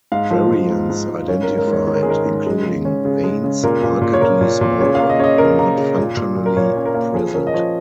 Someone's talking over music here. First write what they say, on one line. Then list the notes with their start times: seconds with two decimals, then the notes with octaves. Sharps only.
Variants identified including veins markedly smaller, or not functionally present.
0.12 G#2 F5
0.31 F3
0.50 F3
0.70 G#2
0.90 G#2
1.09 G#2
1.28 C#4
1.43 G#2 A#4
1.57 A#4
1.67 G#2 C#5
1.87 D#3 C#5
1.95 A#4
2.03 G#4
2.06 G#2 A#4
2.26 G#2
2.46 G#3
2.65 C#3
2.85 C#4
3.05 C#3
3.24 G#3
3.44 C#3
3.63 A#2 A#4
3.83 A#2
4.01 A#2
4.13 C#5
4.21 A#2 A#4
4.41 A#2
4.61 A#2
4.80 C#3 C#5
4.95 A#3 F5
5.09 D#5
5.19 C#3 C#5
5.24 D#5
5.38 C#3 A#4
5.59 A#3 A#5
5.77 C#3
5.98 A#2
6.17 A#2
6.36 A#2
6.46 A#4
6.56 A#2 C#5
6.76 C#4
6.86 A#4
6.94 A#3
7.14 F3 G#4
7.34 C#4 A#4
7.47 D#5
7.54 F3 C#5